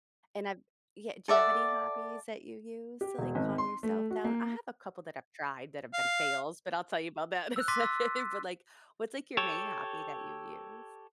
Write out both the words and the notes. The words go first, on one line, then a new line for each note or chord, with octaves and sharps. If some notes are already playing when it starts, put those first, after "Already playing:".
And I've yeah, do you have any hobbies that you use to, like, calm yourself down? I have a couple that I've tried that have been fails, but I'll tell you about that in a second, but, like, what's, like, your main hobby that you use?
A4 D5 E5 F#5
G4
E1
G#1
C6
A3
F#4
A#3
F5
E6 F#6
C6 D6 A6 B6 D#7
E6
G4 A4 C#5